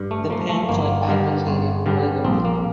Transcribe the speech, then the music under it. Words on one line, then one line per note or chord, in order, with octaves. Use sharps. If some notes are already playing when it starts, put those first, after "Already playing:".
The pamphlet advocated polygamy.
Already playing: G2
A3
F3 A3 A#3
A3
G1 A#3
G2 D3 G3
G1
G2 D3 G3
A#1 C4
A#3